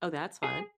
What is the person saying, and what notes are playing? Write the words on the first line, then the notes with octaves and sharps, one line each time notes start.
Oh, that's fun.
G#4